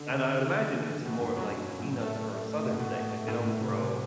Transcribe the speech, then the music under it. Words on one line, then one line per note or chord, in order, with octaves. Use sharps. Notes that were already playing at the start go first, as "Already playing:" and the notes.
and I would imagine it’s more, like peanuts are a Southern thing, like, they don’t grow,
Already playing: D3
C3
E3
D3
B2
G2
F#2 F#3
G2
A2
A3
B2
A2
B2
A2
A2
C3
C3